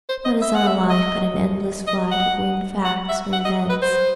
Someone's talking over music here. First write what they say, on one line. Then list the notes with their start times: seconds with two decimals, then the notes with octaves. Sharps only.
What is our life but an endless flight of winged facts or events?
0.09 C5
0.25 D#5
0.42 E5
0.55 F#5
0.67 E5
0.90 D#5
1.87 D#5
2.11 F#5
2.85 F#5
3.09 E5
3.33 F#5
3.45 D#5
3.70 B4
3.82 C5